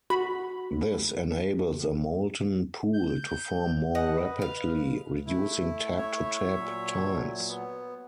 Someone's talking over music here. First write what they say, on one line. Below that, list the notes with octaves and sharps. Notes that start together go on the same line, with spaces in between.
This enables a molten pool to form more rapidly, reducing tap-to-tap times.
F#4 B5
G6
D#5 F#5
B4
F5
A3 E4
C#5 E5
A#2 F#3
B3